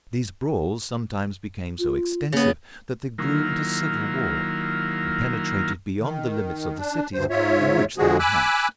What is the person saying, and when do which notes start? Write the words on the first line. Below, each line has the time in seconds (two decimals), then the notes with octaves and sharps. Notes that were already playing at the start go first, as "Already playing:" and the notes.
These brawls sometimes became so extensive that they grew into civil war, and penetrated beyond the limits of the cities in which they were hatched.
1.79 F4
2.32 C#3 A#3 B3
3.18 D#3 F#3 A#3 E4 F4 A#4
6.00 D#3
6.78 D4
7.14 D2 G2 C5
7.30 G#2 F4 C#5 E5
7.98 D3 F3 G#3 F#4 G#4
8.19 G#5 B5 D6 E6 F#6